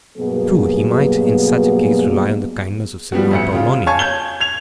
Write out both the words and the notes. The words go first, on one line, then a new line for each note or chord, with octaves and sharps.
True, he might in such a case rely on the kindness of Signor Torlonia.
G2 B2 F#3 A#3 B3 G#4
F3 G3 B3 F#4
A1 D2 C#7
C#3 F4
C#5 F5 G#5 A5 C#6 G#6
G6 G#6 G7
G#6 F7